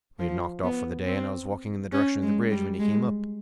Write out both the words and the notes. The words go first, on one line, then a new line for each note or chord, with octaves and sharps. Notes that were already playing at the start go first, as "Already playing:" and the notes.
We had knocked off for the day, and I was walking in the direction of the bridge when he came up.
F3
B3
C4
C#4
G#3
G3
G#3